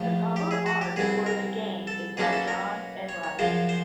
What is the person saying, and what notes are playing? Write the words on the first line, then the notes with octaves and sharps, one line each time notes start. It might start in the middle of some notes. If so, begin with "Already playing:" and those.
The cover art for the game is by John Enright.
Already playing: A#1 A2 F3 A3
G4
G#4
F#4
G4
C2 B2 G#3 C4 G#4
A#4
A4
B1 B2 F#3 A#3 C#4 G#4
A4
A#4
C#5
C#5
F#2 C#3 F3 G#3 C5
C5